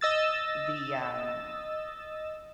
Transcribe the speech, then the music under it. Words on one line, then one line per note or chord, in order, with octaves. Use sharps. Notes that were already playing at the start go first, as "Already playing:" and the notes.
the, um
D#5 E6 A6